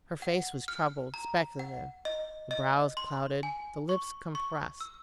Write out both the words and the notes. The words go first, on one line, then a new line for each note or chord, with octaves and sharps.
Her face was troubled, speculative; the brows clouded, the lips compressed.
F#5
F6
A#5
F#5
D#5
D#5
C6
G#5
C#6
C#6
E6